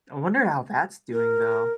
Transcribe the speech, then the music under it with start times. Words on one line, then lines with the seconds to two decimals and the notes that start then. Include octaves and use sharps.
I wonder how that's doing though.
1.13 A#4